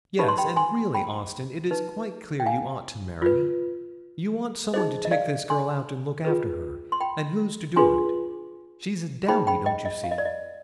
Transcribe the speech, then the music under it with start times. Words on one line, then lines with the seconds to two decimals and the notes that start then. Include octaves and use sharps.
'Yes, and really, Austin, it is quite clear you ought to marry; you want some one to take this girl out, and look after her, and who's to do it? She's a dowdy--don't you see?
0.19 D#4 G4 B4 B5
0.28 C6
0.38 G5 B5
0.56 G#5 C6
0.94 G5 B5
1.71 D#4 B4
2.40 G5
2.46 F5 G#5
3.22 F4 B4
4.74 D#4 G#4 C5 D#5
5.05 D#5
5.11 D5 F5
5.50 G#5 C6
6.25 F4 G#4 B4
6.92 C6
7.00 G5 B5
7.76 D4 F4 G#4 B4 G#5 C6
9.28 D#4 G#4 C5 G5 B5
9.47 G5 B5
9.66 D#5 G5
9.85 D#5
10.04 F5
10.11 D#5
10.18 D5
10.25 D#5